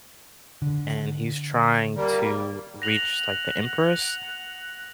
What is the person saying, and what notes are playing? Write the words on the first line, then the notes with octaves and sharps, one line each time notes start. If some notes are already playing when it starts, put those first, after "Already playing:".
and he's trying to reach, like, the Empress,
D3
G3 A#3
F#5 A#6 F7 F#7